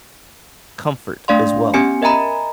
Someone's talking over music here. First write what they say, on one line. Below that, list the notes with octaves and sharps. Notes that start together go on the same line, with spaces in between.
comfort as well.
A3 D4 D5 F5 C6
B3 C#4 G4 G#5 C#7
A#4 D#5 E5 G#5 A#5 B5